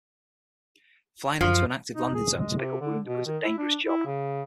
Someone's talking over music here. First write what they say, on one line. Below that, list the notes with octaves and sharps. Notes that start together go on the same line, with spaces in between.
Flying into an active landing zone to pick up wounded was a dangerous job.
F#2 F3
D#4
G#4
G#3
C3
D3
B2
D#3
E4
D4
E4
C#3